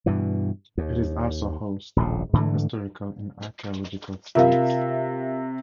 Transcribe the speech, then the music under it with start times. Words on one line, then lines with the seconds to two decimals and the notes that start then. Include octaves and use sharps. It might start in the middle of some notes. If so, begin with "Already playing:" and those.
It is also host to historical and archaeological sites.
0.06 G2 B2 E3
0.78 D#2
1.96 D#1 A#1 A2
2.33 G#2 D3 E3 A3
4.35 C3 F4 A#4 E5 F5